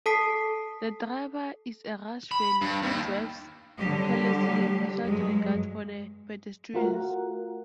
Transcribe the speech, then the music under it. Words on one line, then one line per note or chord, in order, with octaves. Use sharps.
The driver is a rash fellow, who drives carelessly without regard for the pedestrians.
A4 A5 D#6 B6 C7
B5
G2
D#2
D3 F#3 G3 G4
G2 F#3 G#3
A3 F4 F#4 A#4 F#5